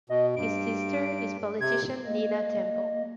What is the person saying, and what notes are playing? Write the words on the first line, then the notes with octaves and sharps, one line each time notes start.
His sister is politician Nina Temple.
B2 D#5
G2 D7
C3 G#6
A#3 D#5